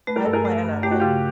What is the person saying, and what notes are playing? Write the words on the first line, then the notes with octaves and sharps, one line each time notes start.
I plan on it.
A3 B4
A#4
G2 A4
G#4 A#4
A3
G2
A3 G4
F#4
C#3 F4 G4